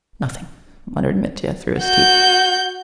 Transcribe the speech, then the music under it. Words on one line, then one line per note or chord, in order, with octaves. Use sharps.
"Nothing," muttered Mitya, through his teeth.
F#4 G6